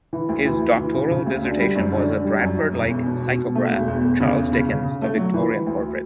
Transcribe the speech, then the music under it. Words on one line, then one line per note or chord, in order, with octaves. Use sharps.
His doctoral dissertation was a Bradford-like psychograph, "Charles Dickens: A Victorian Portrait".
E3
D2
E3
D2
E3
C#3
C#3
D2
D3
G3
F#2
D3
D3
G3
F#2
F#2
E1
E2
B2
B2
B2
A3
E1
E2
E2
C#3
E2
C#3
C#3
C#3
A3
F#3
E3
E3
D2